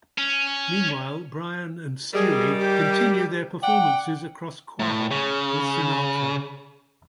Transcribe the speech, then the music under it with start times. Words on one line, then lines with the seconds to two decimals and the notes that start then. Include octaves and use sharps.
Meanwhile, Brian and Stewie continue their performances across Quahog with Sinatra.
0.18 C#4
2.13 D#3 G3 G#4
2.58 G4
3.62 D5 F#5 G5
4.79 A2
5.11 C#3